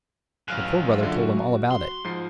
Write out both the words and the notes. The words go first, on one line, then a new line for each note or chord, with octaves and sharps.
The Poor Brother told him all about it.
A1 F#2 F5 F6 F#6
D3 F4 E5
F#4
C6
G#2 F3 C7